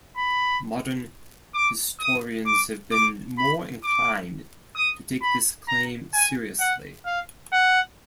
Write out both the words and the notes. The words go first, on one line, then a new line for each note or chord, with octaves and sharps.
Modern historians have been more inclined to take this claim seriously.
B5
D6
D#6
D6
D6
B5
D6
D#6
B5
A#5
G#5
F#5
F5
F#5